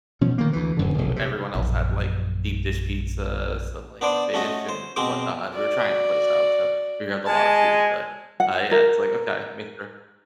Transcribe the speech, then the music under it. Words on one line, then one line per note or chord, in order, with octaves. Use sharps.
e everyone else had like deep dish pizza, some like fish and whatnot we were trying the place out, so we grabbed a lotta food, but uh yeah, it's, like, "Okay, make sure."
B2 F3 C#4
D#3 A#3
D2 E3
D1 F#2 D3
F1 B1
C3
A#1 F#2
B3 D4 C5 D5
A3 C#4 F#4 D#5
C5
B2 G#3 C4 C5 C6 D6
F#4 D5
G#3 G#5 A5
F#5
A#4